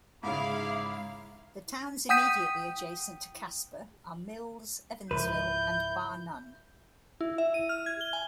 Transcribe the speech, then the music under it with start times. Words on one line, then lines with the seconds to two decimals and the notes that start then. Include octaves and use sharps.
The towns immediately adjacent to Casper are Mills, Evansville, and Bar Nunn.
0.23 G#2 C#3 E4 F5 B5 D6
2.09 F#5 G5 D#6 G6 B6 D#7
5.11 C#2 G#2 F3 E4 B4 G6
7.21 E4
7.38 E5
7.54 D#7
7.69 F6
7.86 G#6
8.01 G7
8.13 G#5